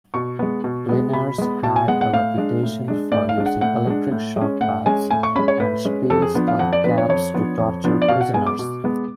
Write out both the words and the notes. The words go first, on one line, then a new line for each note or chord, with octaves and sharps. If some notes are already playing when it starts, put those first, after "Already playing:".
Linares had a reputation for using electric-shock baths and steel skull-caps to torture prisoners.
B2 C#6
G#3 B3
B2
G#3 B3
B2 B5
G#3 B3
B2 A5
G#5
G#3 B3 F#5
F#5
A2 F5
G#3 D4
A2
G#3 D4
A2 D5
F5
G#3 D4
F#5
A2 F#5
G#3 D4
A2
G#3
C#4
A2 F#5
G#3 C#4 G#5
A2 G#5
C#6
G#3 C#4 B5
C#5
A2 B4
G#3 C#4
F2 A4
G#4
F3 B3 D4
F5
F2 F#5
D5
F3 B3 D4 B4
C#5
F2 C#5
F3 B3 D4
F2
F3 B3 D4
D5
B2 F5
F#5
G#3 B3 G#5
D6
B2
G#3 B3